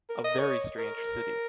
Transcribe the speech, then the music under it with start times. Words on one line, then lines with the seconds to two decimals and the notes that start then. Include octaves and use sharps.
A very strange city.
0.09 A#4
0.24 D#5
0.39 C#5
0.79 A#4